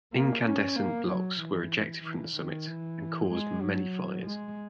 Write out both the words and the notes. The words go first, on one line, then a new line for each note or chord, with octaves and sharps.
Incandescent blocks were ejected from the summit and caused many fires.
A#3
C#4
A#3
F#3
E3
E3
D#3
E3
G#3
F#3
G#3